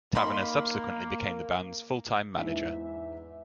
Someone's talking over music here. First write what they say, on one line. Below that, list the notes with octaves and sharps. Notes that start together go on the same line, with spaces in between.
Taverner subsequently became the band's full-time manager.
A#3 D#4 B5 C6
E2 G#2 D#4 E5